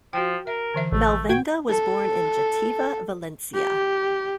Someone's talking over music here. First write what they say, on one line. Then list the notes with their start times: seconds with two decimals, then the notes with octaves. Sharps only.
Malvenda was born in Jativa, Valencia.
0.13 F3 F#4 G5
0.47 A#4 E5
0.74 D3 E3 E5
0.92 A1 A3
1.29 A#2 F#4 G5 G#6
1.70 A4
3.54 G4